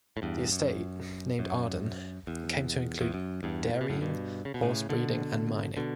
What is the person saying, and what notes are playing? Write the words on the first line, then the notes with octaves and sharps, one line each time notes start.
The estate, named Arden, came to include dairying, horse breeding and mining.
A2
E2 G2
F#2
F#2
E2
E2
F#2
E2 G2
A2
B2
F#2 A2
G2 B2
C#3
B2
A2 C#3
B2 D3
B2 D3